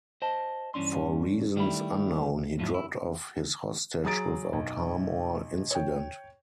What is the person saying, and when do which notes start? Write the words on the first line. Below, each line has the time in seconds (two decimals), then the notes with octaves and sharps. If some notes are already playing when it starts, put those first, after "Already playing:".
For reasons unknown, he dropped off his hostage without harm or incident.
0.22 C5 D#5 A5
0.74 G2 E3 C#4 D4 C6
1.56 D#3 G3 A3 E4 B5
2.59 G#2 F3 F#3 E4
2.74 E4
4.04 F#3 G#4 A#5 D#6 A6 D7
4.53 B1
5.71 C#5 G5